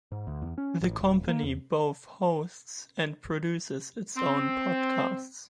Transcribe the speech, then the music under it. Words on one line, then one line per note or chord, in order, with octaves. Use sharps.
The company both hosts and produces its own podcasts.
G#2
D2
E2
C#4
A1
D#1
A#3
E2
C4